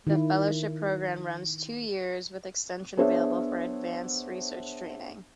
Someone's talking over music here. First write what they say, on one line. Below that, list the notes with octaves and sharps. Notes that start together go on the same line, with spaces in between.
The fellowship program runs two years with extensions available for advanced research training.
D#3 E4
B3 D4 G#4 C5 C#5 E5